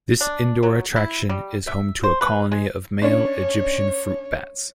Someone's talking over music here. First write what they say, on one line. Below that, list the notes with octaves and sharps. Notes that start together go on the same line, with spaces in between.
This indoor attraction is home to a colony of male Egyptian fruit bats.
D4
F#3
E4
G3
E5
C5
B4
G#3
C#4 D4 C#5